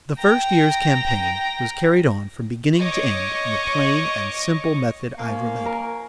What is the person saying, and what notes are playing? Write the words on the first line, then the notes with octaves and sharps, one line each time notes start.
The first year's campaign was carried on from beginning to end, in the plain and simple method I've related.
G5 A#5
C#5 D#5 C#6 D6
F3 A#3 C#4
A#4